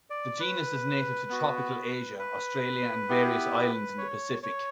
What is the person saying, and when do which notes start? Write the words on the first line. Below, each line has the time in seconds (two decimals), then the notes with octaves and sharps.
The genus is native to tropical Asia, Australia, and various islands in the Pacific.
0.10 D5
0.40 B4
1.29 B3 F#4
2.19 B4
3.09 B3 E4 G4
3.98 C#5
4.43 C#5